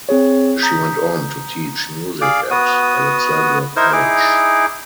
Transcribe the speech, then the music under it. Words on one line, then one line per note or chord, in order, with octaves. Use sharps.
She went on to teach music at Alexandra College.
C4 G#4 C#5
A#5 D#6 G6 B6
G#4 D5 F5 D6
B3 F#4 D#6
D#4 E4 A#4 C5
D#4 E4 G#4 D6